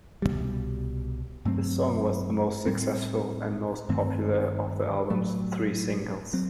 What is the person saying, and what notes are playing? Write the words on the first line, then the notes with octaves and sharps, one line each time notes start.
This song was the most successful and most popular of the album's three singles.
C2 B2 G3
G2 F#3 A3 C4
A2 G3 C4
G2 D#3 A3 C4
A2 F#3 A3
F#3 C4